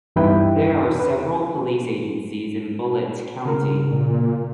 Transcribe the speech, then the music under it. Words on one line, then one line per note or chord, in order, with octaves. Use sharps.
There are several police agencies in Bullitt County.
E2 G2 D#4 E4 B4 G5
B4
C#3 A#4
A#2